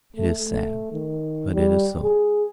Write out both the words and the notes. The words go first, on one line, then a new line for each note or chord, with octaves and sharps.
It is sad, but it is so.
A3
A3
D#3
G3
G#4